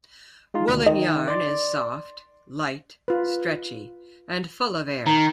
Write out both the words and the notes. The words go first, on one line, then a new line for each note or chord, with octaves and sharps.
Woolen yarn is soft, light, stretchy, and full of air.
G#3 D#4 F4
D2 B2 D#3
D#3 D#5
D5 C6
F4 B4
D#3 A#5